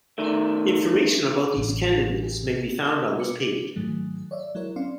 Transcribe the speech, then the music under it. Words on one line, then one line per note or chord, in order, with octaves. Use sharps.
Information about these candidates may be found on this page.
D#3 A3
A1
E5
B4 D6 C#7
G#2 D#3 F#3 A3
C#5 D5 E5
F#3 G#3 E4 A#4 C#5
C4 C#4 D5 F5 C6